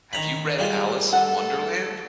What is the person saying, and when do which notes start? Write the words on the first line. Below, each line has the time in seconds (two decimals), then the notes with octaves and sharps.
Have you read Alice in Wonderland?
0.13 D#3 A#5 B5
0.59 G3 G#3 F4
1.13 A4 F#5